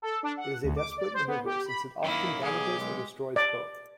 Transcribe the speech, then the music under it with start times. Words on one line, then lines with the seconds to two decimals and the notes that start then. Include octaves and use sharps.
It is a desperate maneuver since it often damages or destroys both.
0.02 A4
0.23 D4
0.37 F#5
0.64 D2
0.76 D6
0.98 D5
1.14 C5
1.27 B3
1.46 G4
1.66 B5
2.04 F#2 D#3 A#3 E4
2.43 B1 G4 G#4
2.80 G#3
3.36 D5